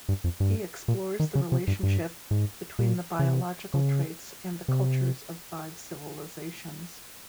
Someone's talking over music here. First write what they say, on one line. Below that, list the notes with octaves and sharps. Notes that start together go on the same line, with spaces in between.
He explores the relationship between the biological traits and the cultures of five civilizations.
G2
F2
G2
A#2
D#3
C#3
C3
G2
G2
G#2
A#2
C#3
C3
C#3
C3